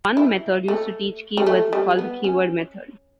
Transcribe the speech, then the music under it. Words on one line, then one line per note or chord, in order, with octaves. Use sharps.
One method used to teach keywords is called the keyword method.
E4
A3
G3
A3
G3
A3
B3
C#4